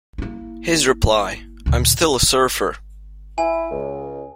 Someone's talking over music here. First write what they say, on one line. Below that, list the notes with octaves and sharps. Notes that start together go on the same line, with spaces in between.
His reply: I'm still a surfer.
A#3 E4
D2 A#2
E4 G#5
C#2